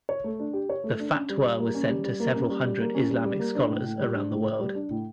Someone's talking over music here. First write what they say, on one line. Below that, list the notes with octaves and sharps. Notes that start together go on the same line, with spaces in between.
The fatwa was sent to several hundred Islamic scholars around the world.
C#5
A3
D4
G4
C#5
A3
D4
C#4
G3
G3
A#3
C#4
G3
G3
A#3
C#4
G3
G3
A#3
C#4
G3
G3
A#3
D4
A2
A2
G3
D4
A2
A2
G3
D4
A2